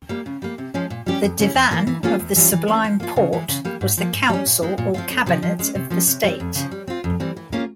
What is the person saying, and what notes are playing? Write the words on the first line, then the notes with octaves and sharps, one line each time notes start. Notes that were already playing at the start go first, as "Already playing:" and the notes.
The "divan of the Sublime Porte" was the council or Cabinet of the state.
G3 A#3
C#3
G3 A#3
C3
F3 G#3 C#4
A#2
G3 C#4 G4
F2
C#3 G3 C#4 E4
E2
E3 A#3 E4
E3
A#3 C#4 F4 G#4
E2
E3 G3 C#4 F4
E3
A#3 C#4
F3
A#3 F4
C#3
E3 G#3 E4
C#3
G3 A#3
G#2
F3 A#3
G#2
G3 C#4
A#2
G#3 C4 E4
A#2
F3 C4 F4
F2
C3 F3 C4
F3
G#3 C#4
C3
F3 A#3 C#4
C3
G3 C4
F2
C#3 F3
G3
C4 F4
F2
E3 G3 C4
E3
A#3 C#4 F4 G#4